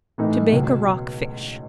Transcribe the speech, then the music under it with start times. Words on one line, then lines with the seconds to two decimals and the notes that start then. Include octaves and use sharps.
To Bake a Rock Fish.
0.18 A2 E3 A3 D#4
0.52 C#2 B2 F#3